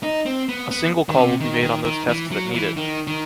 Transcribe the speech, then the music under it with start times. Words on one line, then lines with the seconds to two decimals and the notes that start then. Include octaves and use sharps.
A single call will be made on those tests that need it.
0.03 D#4
0.26 C4
0.49 B3
0.71 B3
1.09 D#3
1.17 C3
1.40 D#3
1.63 D#3
1.85 D#3
2.08 E3
2.32 F#3
2.54 E3
2.77 D#3
3.07 D#3